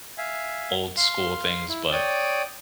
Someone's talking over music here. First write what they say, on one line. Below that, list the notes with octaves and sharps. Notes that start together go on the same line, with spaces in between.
old school things, but,
E5 F5 G#5
F5 C6
E4
C#5 D5 G5 D#6